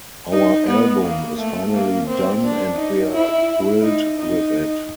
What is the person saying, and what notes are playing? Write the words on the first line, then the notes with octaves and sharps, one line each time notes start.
Our album is finally done and we're thrilled with it.
D#4
B3
A#3
A3
A#3
C4
D4
D#4
E4
D#4
D#4